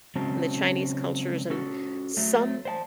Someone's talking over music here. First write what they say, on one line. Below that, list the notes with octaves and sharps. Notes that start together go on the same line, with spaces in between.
and the Chinese cultures and some,
C#3 F#3 G#3 C4 C#4 A5
C#4 F#4 A4
F#3 A3
C5 D5 F#5 A5